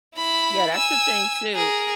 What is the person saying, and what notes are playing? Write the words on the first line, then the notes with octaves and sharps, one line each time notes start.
Yeah, that's the thing, too
E4 B5
G#5 E6
G#4 A#4